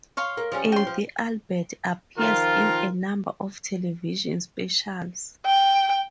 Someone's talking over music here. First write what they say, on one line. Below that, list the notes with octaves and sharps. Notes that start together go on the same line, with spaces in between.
Eddie Albert appears in a number of television specials.
C#5 F5 C6
A#3
F3 G3 C#4
G5 C6
F3
D#3 F3 F4 A#4
G5